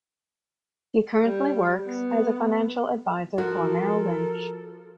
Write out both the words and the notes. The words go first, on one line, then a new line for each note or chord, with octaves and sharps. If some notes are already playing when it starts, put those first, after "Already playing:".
He currently works as a financial advisor for Merrill Lynch.
G3
B3
F3 F#4 A4 A#4